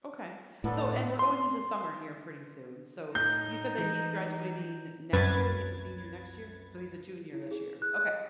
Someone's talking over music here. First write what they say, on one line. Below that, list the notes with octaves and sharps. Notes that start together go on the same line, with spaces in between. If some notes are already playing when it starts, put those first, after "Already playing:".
Okay. So and we're going into summer here pretty soon, so you said that he's graduating next year he's a senior next year? So he's a junior this year. Okay,
A2 D3 B3 A4
C6
A2 D#4 G6
E3
C2 F#2 B4 G#6 A6
E4
G#4
F#6
D#5